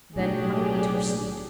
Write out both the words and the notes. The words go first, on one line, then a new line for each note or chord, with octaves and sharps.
"Then how are we to proceed?"
B1 A2 F#3 D4 G4 G#4